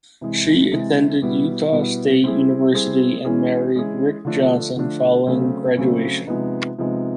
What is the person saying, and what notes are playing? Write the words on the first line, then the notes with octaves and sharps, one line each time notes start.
She attended Utah State University and married Rick Johnson following graduation.
C3 E3 G#3
C3 E3 G#3
B2 G3 B3 E4
B2 G3 B3 E4
G3 C4 E4 G#4
G3 C4 E4 G#4
E3 G#3 C#4 E4 G#4
E3 G#3 C#4 E4 G#4
D3 F3 A3 D4
D3 F3 A3 D4
C#3 F#3 A3 C4
C#3 F#3 A3 C4
C3 F3 G#3 B3 D#4
C3 F3 G#3 B3 D#4